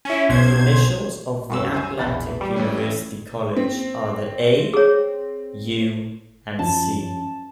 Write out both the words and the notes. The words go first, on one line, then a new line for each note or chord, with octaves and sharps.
The initials of the Atlantic University College are the "A", "U" and "C".
C#4 E4
B1 B2 C5 G#6
C2 F#2 E6
C5 G#5
A#1 E2 E3 B5 A6
G3
F2 E3 C#4
C4
G#4 C#5
F#2 F3 C#4 A5